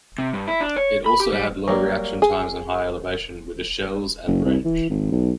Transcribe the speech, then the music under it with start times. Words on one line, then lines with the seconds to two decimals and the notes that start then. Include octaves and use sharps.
It also had low reaction times and high elevation, with a shells and range.
0.18 C3
0.33 G2
0.48 E4
0.61 D4
0.76 C#5
1.06 B5
1.20 G4
1.32 G3
1.68 F#3 G3 A#3
2.22 G#4
4.27 F#1
4.45 C2
4.65 E3
4.90 G#1
5.12 B1